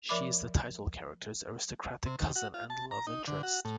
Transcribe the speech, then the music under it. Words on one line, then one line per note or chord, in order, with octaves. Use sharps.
She is the title character's aristocratic cousin and love interest.
F3 A#4 D5 E5 B5 D6
C3
D#2
F#4
F4
A5
A#5
D#4
D3
F#4
A2